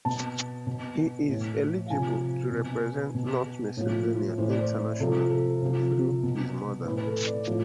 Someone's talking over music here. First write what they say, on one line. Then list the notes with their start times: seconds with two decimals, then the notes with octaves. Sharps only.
He is eligible to represent North Macedonia internationally through his mother.
0.05 B2 A5
0.67 B2
1.28 A2 E3
1.86 F5
1.90 C3 F3 G#5
2.52 B2
3.15 B2
3.77 A2 F3
4.38 A2 E3 C5
4.50 D5
4.61 C5
5.00 C3 F3 A4
5.30 A4
5.62 C3 F3
6.23 B2
6.85 A2 B4
6.90 E3
6.97 B4
7.06 A4
7.27 D5
7.47 A2 F3 D5